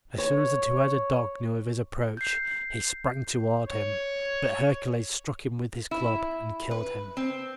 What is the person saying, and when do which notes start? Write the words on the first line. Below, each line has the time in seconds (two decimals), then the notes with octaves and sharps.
As soon as the two-headed dog knew of his approach he sprang toward him; but Hercules struck him with his club and killed him.
0.18 C#5
2.17 G6 C7
3.66 C#5
5.91 E4
6.71 B4
7.17 C4